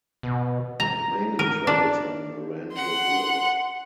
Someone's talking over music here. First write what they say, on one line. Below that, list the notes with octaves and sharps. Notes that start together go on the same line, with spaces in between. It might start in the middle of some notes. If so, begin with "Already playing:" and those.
It mainly travels on Naranjo boulevard.
B2
A#5
A#4
D4
F#5 C6